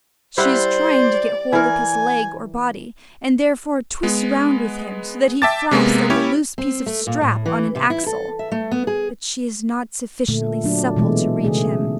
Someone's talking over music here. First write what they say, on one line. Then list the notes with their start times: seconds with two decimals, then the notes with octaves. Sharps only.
She is trying to get hold of his leg or body, and therefore twists round with him so that he flaps like a loose piece of strap on an axle; but she is not sufficiently supple to reach him.
0.38 G3 E4 C5 D5 F#5
1.53 E3 A#4 G#5
4.03 G#3 B3
5.42 E5 G5 A5 D6 A6
5.71 C3 G#3 A#3 B3
6.10 C#4 E4 G4 C#5
6.58 C4
6.86 A3
7.07 A#2
7.21 A2
7.46 E3
7.75 C3
7.90 E4
8.06 A4
8.39 E5
8.52 A3
8.71 B3
8.87 G#4
10.28 A#2 D3 A3
10.64 F#3 D4
10.97 B2 E3 G#3 A3
11.45 C#3 A3 G#4